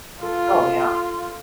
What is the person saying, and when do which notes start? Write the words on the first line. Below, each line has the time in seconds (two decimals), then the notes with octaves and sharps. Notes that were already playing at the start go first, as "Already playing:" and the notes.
Oh, yeah.
0.23 F4 A4